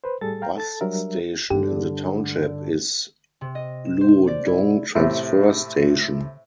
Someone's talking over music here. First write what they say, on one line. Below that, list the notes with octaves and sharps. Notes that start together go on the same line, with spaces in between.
Bus station in the township is Luodong Transfer Station.
B4 C5
A2 G3 G#4 A4 A6
F5 G5 A#5
A4 A5 A6
F#3 G3 D4 A#4 E5
G2 D3 G4
C3
D#5
E7
C5
D5
E4
A2 C3